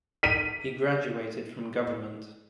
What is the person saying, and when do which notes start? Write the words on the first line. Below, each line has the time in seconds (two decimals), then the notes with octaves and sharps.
He graduated from Govt.
0.23 B6 D#7